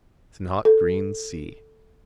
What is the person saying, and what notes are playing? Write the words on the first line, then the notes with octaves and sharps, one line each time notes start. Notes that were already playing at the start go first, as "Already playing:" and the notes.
The snotgreen sea.
A4